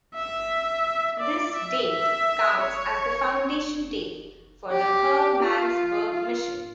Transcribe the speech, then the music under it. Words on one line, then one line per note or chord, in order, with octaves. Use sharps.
This date counts as the foundation date for the Hermannsburg Mission.
E5
D5
E5
E5
C#5
G4
F4
F4